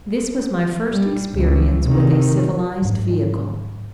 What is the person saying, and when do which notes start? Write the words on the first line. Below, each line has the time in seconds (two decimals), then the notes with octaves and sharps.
This was my first experience with a civilized vehicle.
0.91 G3
1.33 C#2
1.84 C3 D#3
2.82 G#2 F#3